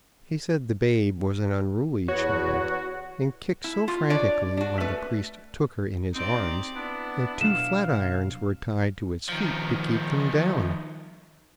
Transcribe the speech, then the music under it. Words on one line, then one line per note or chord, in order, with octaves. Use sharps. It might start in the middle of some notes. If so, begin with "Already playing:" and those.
He said the babe was an unruly child, and kicked so frantically when the priest took her in his arms that two flatirons were tied to its feet to keep them down.
E2 B3 F#4 C#5
E4
F4
D4 C#5 D5
D4 F#4
A3 B4
C4 D#4 G4 D5
B3 D4 E4
B2 F#3 D4 F5 E7
D#3 F3